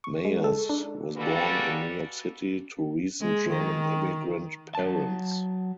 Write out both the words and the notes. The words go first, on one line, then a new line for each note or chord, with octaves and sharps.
Meyers was born in New York City to recent German immigrant parents.
C#6
G#3
A4
D4
G3 G#3 A#3 F#4 A4 B4
G#3
D#3
F#3 A5